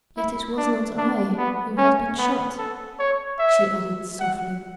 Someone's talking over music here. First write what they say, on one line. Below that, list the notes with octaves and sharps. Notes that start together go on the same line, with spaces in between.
"Yet it was not I who had been shot," she added softly.
E4
D4
D4
B3
C#4
B3
A4
C#5
E5
F#5